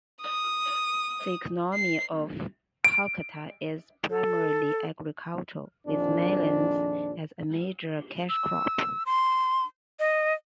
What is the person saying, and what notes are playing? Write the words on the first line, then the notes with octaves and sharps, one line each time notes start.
The economy of Hokota is primarily agricultural, with melons as a major cash crop.
D#6
C7
D7
A4
A#1 F2 D#3 D4
E6
C6
D#5